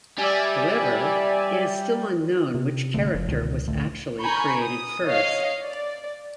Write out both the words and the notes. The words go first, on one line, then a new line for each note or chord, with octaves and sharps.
However, it is still unknown which character was actually created first.
G3 D5 E5 G#5
C3
A1 D3 A3
F#1 F3
C#2 B2 D3 D#3
A1 D3 A3
G#5 A#5 B5 C#6 G6
D#6
C#5 D#5 F5
D5